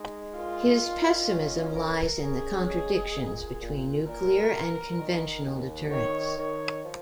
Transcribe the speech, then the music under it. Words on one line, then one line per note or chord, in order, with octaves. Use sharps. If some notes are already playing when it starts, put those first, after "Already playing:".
His pessimism lies in the contradictions between nuclear and conventional deterrence.
Already playing: G#3 D#4
A#2 F4
D#4
C#4
A#4
C#4 G#4
G#3
A#2
A#2
A#2 A#4
A#2
D#3
D#2
D#3 C#5
D#3 C#5
F3